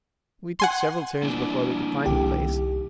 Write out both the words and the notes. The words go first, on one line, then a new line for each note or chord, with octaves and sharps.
We took several turns before we could find the place.
F#5 G#5 C6
A#3 D4 E4
C2 D#3 G4